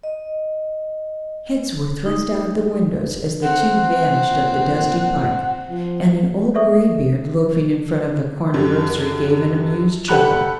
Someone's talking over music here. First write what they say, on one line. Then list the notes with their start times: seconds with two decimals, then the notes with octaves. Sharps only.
Heads were thrust out of the windows as the two vanished up the dusty pike, and an old graybeard loafing in front of the corner grocery gave an amused chuckle.
0.03 D#5
2.06 D#4
3.42 C4 F#5
4.29 A#2
5.69 F3
6.54 G#4 A4 D5 E5 C#6 D#6
8.54 F#2 D3 G3
10.08 G4 A4 F#5 B5 F#6